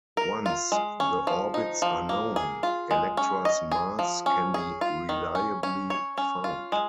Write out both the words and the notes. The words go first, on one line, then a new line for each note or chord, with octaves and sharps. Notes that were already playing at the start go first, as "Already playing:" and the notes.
Once the orbits are known, Elektra's mass can be reliably found.
A#4
F4
G#3
C#4
F3
D#4
F3
A#3
G#4
F4
G#3
C#4
D#5
G#4
F3
C#4
G#4
F4
D#3
C#4
C#4
C#5
C#4
F4
G#3